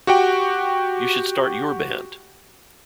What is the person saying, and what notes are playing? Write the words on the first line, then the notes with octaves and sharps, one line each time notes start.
You should start your band.
F#4 G4 F#5 G5